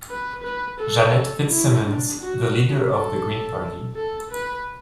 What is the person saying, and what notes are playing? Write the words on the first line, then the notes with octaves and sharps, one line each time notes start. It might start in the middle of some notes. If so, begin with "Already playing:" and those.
Jeanette Fitzsimons, the leader of the Green party.
B4
B4
A4
E4
D4
F#4
A4
A4
B4